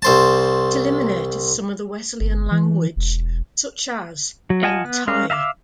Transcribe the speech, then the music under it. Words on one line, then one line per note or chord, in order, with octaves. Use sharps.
It eliminated some of the Wesleyan language, such as "entire".
C2 C5 A5
G1
E3
E1
F#3
F4 D#5 F#5 G#5 A5
B3
G#3 C#4 A#4 F5
E5 F5 A#5 D6 E6